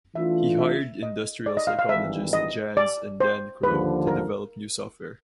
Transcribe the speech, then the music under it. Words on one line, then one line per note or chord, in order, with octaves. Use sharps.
He hired industrial psychologist Janz and Dan Crow to develop new software.
E3 A3 D4 F4 E5
E5
D#5
D5
D#5
F5
F5
G#1 G2 E3 E5
D#5
D5
C5
D#2 D3 F3 B4
A#4